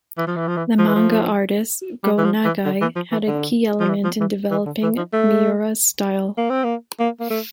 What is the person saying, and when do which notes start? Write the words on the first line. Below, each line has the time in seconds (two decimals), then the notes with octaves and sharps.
The manga artist Go Nagai had a key element in developing Miura's style.
0.17 E3
0.27 F3
0.36 E3
0.48 F3
0.57 E3
0.79 F3
0.87 E3
0.95 F3
2.03 G3
2.18 E3
2.24 F3
2.44 E3
2.65 D3
2.81 E3
2.95 F3
3.11 E3
3.27 D3
3.80 F3
3.88 E3
4.04 F3
4.20 E3
4.51 E3
4.66 D3
4.83 E3
4.97 F3
5.13 A3
6.37 A#3
6.50 C4
6.64 A#3
6.99 A#3
7.20 A#3
7.30 A3